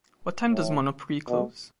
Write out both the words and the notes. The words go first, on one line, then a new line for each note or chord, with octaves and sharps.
What time does Monoprix close?
A2
B2